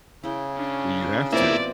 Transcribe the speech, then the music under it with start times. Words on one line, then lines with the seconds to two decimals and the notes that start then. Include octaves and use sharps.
Well, you have to.
0.23 C#3 E4 G5
0.56 C#4 D4
1.33 B2 F3 A#3 C4 E4 D5